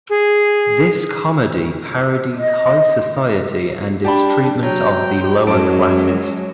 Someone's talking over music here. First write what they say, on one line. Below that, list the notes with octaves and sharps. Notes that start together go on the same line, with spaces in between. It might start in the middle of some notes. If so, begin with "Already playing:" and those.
This comedy parodies high society and its treatment of the lower classes.
G#4
D#5
D4 G4 A5 B5
F#3 G5
F#2 F#3 G#3 A5 D7